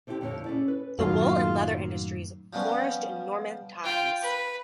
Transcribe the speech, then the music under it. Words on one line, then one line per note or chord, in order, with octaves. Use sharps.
The wool and leather industries flourished in Norman times.
D3 C4 E4 F#4 G4
F2 A#2 D3 E4 C#5
C#4 D4 E4 G#4 D5
B4
F#2 A2 D#3 F#3 A#3 F4
F3 G3 B3 C#4
F4 G5
B4